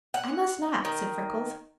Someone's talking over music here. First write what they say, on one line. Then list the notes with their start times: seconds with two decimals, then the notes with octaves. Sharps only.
"I must not," said Freckles.
0.14 F#5
0.85 D#3